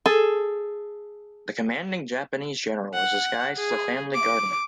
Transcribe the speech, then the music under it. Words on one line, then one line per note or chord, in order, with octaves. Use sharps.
The commanding Japanese general was disguised as a family gardener.
G#4 A4
F#5
G#4
D6